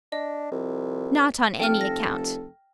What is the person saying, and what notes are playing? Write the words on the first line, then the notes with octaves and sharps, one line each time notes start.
Not on any account.'
D4 D#5
C2 F2
F1 A4 G5 F6
A#6